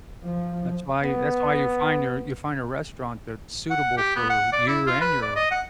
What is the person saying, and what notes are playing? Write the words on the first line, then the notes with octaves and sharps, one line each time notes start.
that's why that's why you find your, you find a restaurant that's suitable for you, and your,
F3
B3
F#5
G4
B3
F#5
D5
E4
F4
B4
D5
D#5
F#5